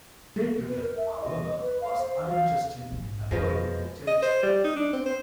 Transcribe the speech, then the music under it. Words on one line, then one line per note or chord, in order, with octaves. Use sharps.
Great Britain, however, was uninterested in acquiring the territory.
B4
A#4
E5
D#5
B4
F5
C5
F5
A#1 G#2
F2 B2 F3 G#3
D#5
C5
G3
D#4
D4
C4
C5